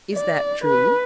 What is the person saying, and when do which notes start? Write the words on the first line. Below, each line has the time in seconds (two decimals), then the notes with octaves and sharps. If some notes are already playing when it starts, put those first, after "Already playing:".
Is that true?
0.14 D5
0.65 B4